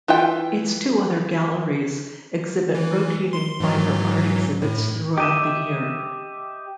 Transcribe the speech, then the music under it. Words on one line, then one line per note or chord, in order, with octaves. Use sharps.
Its two other galleries exhibit rotating fiber art exhibits throughout the year.
E3 F4 A4 G5
E3
C6
G#2 E3 F#3
A2
G4 D#5 E5